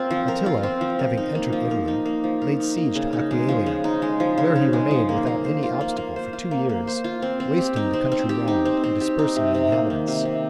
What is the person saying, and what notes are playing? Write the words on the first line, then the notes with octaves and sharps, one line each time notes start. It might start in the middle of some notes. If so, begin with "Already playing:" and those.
Attila, having entered Italy, laid siege to Aquileia, where he remained without any obstacle for two years, wasting the country round, and dispersing the inhabitants.
Already playing: C4 F4 A#4
F3
A#4
F4
C4
F3
A#4
D#4
A#3
F3
A#4
D#4
A#3
F3
A#4
D#4
A#3
C#3
D#4
G#3
F3
C#3
D#4
G#3
F3
C#3
D#4
G#3
F3
A#3
A#3
C5
F4
A#3
A#3
C5
F4
A#3
A#3
C5
F4
C4
C4
G4
D#4
C4
C4
G4
D#4
C4
C4
G4
D#4
C3
C3
A#3
D#3
C3
C3